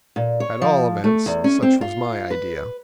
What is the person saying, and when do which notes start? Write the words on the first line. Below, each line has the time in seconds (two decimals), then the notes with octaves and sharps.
At all events, such was my idea.
0.16 A#2
0.40 C#5
0.62 F3
1.04 A3
1.26 E2
1.44 C#4
1.62 C4
1.81 F4
2.31 B4